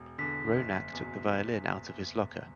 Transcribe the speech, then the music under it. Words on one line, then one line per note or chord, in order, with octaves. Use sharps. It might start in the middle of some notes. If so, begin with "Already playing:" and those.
Ronak took the violin out of his locker.
Already playing: E1
E2 D3 B6
F#1
E2 B2